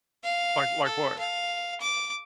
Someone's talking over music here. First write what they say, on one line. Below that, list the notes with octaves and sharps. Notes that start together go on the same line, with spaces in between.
like like what?
F5
A4
F5
D6